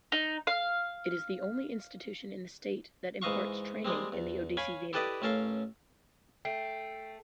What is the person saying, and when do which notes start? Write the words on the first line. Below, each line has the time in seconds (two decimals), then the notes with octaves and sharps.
It is the only institution in the state that imparts training in Odissi Veena.
0.12 D#4
0.47 F5
3.22 G#2 E3 D#5 F5 C#6
3.85 G3 G#3 A#3 C4
4.12 E2
4.57 C#5 F5 G#5 B5
4.93 E4 G4 A4 B4 D5 D#5
5.22 A1 C#4 A4 A#4 F5
6.45 A3 G5 C7 D7